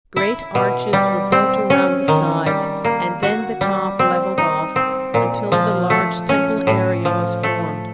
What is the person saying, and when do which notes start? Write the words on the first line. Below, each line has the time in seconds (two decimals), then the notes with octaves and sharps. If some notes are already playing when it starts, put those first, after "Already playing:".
Great arches were built around the sides and then the top leveled off until the large temple area was formed.
0.16 E4
0.55 B2
0.93 G3
1.32 C4
1.70 C#4
2.08 D#3
2.46 G3
2.85 A#3
3.23 F#4
3.61 G3
3.99 C4
4.38 D#4
4.76 C4
5.14 A#2
5.52 F3
5.90 A3
6.29 C#4
6.67 A2
7.05 F3
7.43 A3